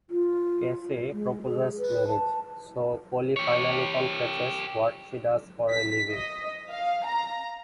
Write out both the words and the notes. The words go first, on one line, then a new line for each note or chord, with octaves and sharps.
Casey proposes marriage, so Polly finally confesses what she does for a living.
F4
G#3
G#4
B4
A5
G4 C#5
B6
D#5
F5
A#5